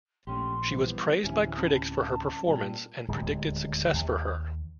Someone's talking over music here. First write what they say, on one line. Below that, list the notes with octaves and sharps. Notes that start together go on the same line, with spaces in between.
She was praised by critics for her performance and predicted success for her.
A#1 A3 C#4 G4 C6
E3 G3 B3 C5
D1 C3 E3 C#4 E4 G#5
C4 C#4 A5 B5
A#2 G3
D1 D#2 G#3
D#2